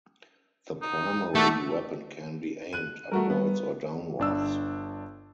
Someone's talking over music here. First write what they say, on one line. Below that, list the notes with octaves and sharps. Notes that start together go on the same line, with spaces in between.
The primary weapon can be "aimed" upwards or downwards.
D#4
A3 D4 F#4 A4 E5
F#6 D#7
G3 A3 F#4 A#4
B3
G1 D4 E6